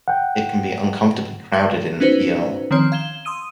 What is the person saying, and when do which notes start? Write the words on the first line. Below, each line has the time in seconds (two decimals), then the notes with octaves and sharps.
It can be uncomfortably crowded in the p.o.
0.08 F#5 G5
2.00 B3 C#4 D#4 F#4 B4 C5
2.71 D#3 F3 C4 C#5
2.92 F5 G#6 E7 G7
3.25 C6 D#6 E6 D#7